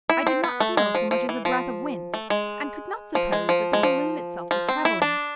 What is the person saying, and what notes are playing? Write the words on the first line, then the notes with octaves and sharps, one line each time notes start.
I did not feel so much as a breath of wind, and could not suppose that the balloon itself was travelling.
E4
C4
B3
A3
G#3
F3
F3
E3
F3
A3
G#3
F3
G#3
F3
G#3
F3
F3
C4
E4
D4